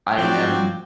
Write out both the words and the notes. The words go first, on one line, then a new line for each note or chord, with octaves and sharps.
I am
F3 F#3 C4 F#4 D5 G5